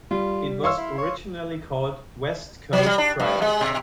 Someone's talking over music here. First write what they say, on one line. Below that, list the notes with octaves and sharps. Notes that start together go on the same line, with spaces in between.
It was originally called "West Coast Tryouts".
G3 F4
C#5 F5 C6 E6
E4
C#5
F#3
G3
D4
G2
G#3
B2